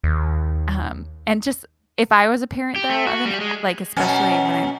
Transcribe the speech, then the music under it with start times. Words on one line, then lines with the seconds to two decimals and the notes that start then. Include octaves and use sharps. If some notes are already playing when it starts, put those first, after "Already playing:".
Um, and just if I was a parent though, of an like, especially when I
0.03 D#2
2.76 G4
2.90 A3
3.07 F#4
3.25 G3
3.41 G#3
3.96 F#2 B2 C#4